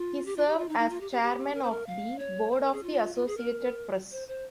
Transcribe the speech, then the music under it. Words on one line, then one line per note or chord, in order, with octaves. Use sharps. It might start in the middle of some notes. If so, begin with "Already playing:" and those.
He served as chairman of the board of the Associated Press.
Already playing: F4
G4
F4
G4
F4
D#4
D#4
F4
G4
G4
G4
A#4
C5
A#4
F5
C#5
C5
A#4
G#4
F4
F4
G#4
A#4
C5
C5